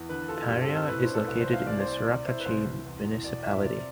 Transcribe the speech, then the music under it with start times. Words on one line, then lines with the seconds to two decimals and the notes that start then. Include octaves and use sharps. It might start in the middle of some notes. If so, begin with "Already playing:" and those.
Paria is located in Soracachi municipality.
Already playing: E2
0.09 D3 B4
0.28 F4 A4
0.48 G2 G4
0.62 A4
0.68 C4
0.75 A4
0.88 A2 B4
1.01 C5
1.08 D4
1.14 A4
1.27 C2 B4
1.41 C5
1.47 A3
1.53 F5
1.66 C2 D5
1.80 C5
1.86 C4
1.93 D5
2.06 C3 D5
2.25 E4 C5
2.40 B4
2.45 C2 C5
2.65 C2
2.85 E2
3.04 E2
3.24 B2 D5
3.44 F4 E5
3.64 C3 D5